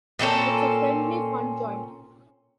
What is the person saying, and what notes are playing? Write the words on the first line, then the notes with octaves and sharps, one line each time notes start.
It's a friendly fun joint.
A#2 C4 C#4 A4